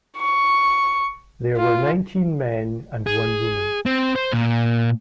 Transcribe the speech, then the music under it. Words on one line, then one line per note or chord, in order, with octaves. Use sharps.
There were nineteen men and one woman.
C#6
F4
G#4
C4
C5
A#2